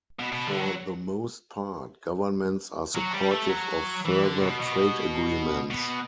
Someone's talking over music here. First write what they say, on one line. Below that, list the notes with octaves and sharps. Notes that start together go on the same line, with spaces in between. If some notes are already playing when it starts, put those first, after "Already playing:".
For the most part, governments are supportive of further trade agreements.
B2
B2
D3
F#3
F#3
G3
A3
F#3
E3
D3
B2
B2
B2